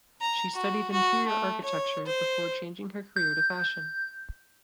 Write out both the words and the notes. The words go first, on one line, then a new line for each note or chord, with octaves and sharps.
She studied Interior Architecture before changing her career to fashion.
A#5
F#4
F#4
A3
C#5
C5
G6